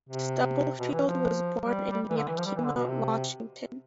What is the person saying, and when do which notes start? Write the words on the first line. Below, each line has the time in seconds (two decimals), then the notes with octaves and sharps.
Stubblefield was born in Yakima, Washington.
0.09 C3
0.78 B2
0.92 E3
1.06 F3
1.62 G3
1.91 G3
2.10 E3
2.18 D3
2.27 E3
2.37 F3
2.46 G3
2.56 E3
2.65 D3
2.74 B2
2.88 C3